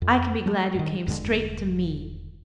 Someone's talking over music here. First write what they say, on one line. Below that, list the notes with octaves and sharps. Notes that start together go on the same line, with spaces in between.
I can be glad you came straight to me.
F2
F#3 A3
G2 D#3
E1 G2 D3 G#3